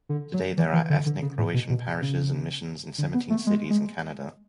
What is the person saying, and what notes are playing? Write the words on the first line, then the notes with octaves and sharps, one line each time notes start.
Today there are ethnic Croatian parishes and missions in seventeen cities in Canada.
D3
F#3
E3
E3
D3
D3
C#3
A2
B2
B2
C#3
D3
B3
A3
G#3
G#3